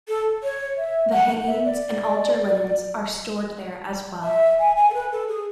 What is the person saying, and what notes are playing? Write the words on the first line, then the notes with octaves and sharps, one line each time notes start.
The hangings and altar linens are stored there as well.
A4
C#5
E5
F#5
F#5
E5
D5
E5
G#5
G#5
A4
B4
A4
G#4